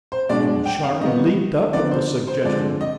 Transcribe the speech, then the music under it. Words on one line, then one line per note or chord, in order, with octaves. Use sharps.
Moncharmin leaped up at the suggestion.
C5
B2 G#3 D4 D5
G5
F5
D#3 G3 B3 D#5
D3 F3 B3 D#4 D5
C5
C5
D3 F3 G#3 C4 D5
D#5